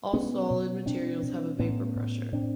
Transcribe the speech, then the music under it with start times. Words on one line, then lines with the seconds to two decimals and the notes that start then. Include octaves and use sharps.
All solid materials have a vapor pressure.
0.13 B2 B3 C#4
0.50 B2
0.86 B2 C4 D4
1.23 B2
1.59 A2 B3 C#4
1.96 A2
2.32 A2 C4 D4